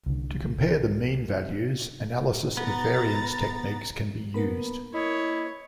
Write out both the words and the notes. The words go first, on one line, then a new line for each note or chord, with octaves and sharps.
To compare the mean values, Analysis of Variance techniques can be used.
C2 D3
B3 A#5 A6
A#3 B3 A#4 B5
E4 C#5 D#5